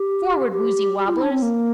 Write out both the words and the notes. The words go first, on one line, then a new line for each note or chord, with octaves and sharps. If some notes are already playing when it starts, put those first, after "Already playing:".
Forward, woozy wobblers!
Already playing: G4
G4
G4
F4
E4
D4
C4
A#3